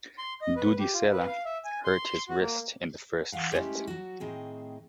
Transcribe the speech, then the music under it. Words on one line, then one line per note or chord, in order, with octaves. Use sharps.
Dudi Sela hurt his wrist in the first set.
C6
D#5
B4
G4
F4
B4
F5
E5
G#5
C6
F#4
A#3
E3 F5 F#5
G#3 A3 C#4 E4 G4
F#3 F#4
A2 D#3 C4 G#4 D#5